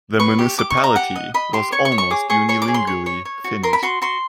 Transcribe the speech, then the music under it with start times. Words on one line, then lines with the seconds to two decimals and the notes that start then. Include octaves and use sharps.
The municipality was almost unilingually Finnish.
0.19 B4 C#6
0.39 G4
0.58 G4 D6
0.70 C#6
0.77 D#5
0.84 A#5
0.96 G4 F#5
1.16 D#5
1.34 D#5 B5
1.53 G4 C6
1.72 C#5 C#6
1.85 C#6
1.92 C#5
1.98 C#6
2.10 G#4 D6
2.30 G#4 C#6
2.49 C#5 C#6
2.62 D6
2.68 G#4
2.74 C6
2.87 C#5
3.06 C#5
3.25 C#5
3.44 F#4
3.63 A#4 C6
3.73 B5
3.83 F#4 C6
4.02 F#4 C6